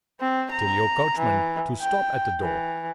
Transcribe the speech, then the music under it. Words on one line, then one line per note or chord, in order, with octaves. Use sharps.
"Tell your coachman to stop at the door."
C4
A#5
E3
G5
E3